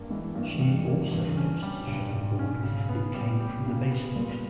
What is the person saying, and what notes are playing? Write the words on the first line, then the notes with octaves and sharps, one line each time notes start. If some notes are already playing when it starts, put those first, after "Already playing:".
She also hosts a show called It Came From The Basement!
Already playing: G2 A#3
E3 G#3 B3
G2 G3 A#3
E3 G#3
G2
E3 G#3
A#3
D#3 G3
G2 E3
G3
C#3 E3
C#4
G3
G2 A#2 C#3
G#2 B2
G2
G#2
C#4
G#2 B2
C#3
B3
G3
G4
C#3
B3
A#2 G3 A#3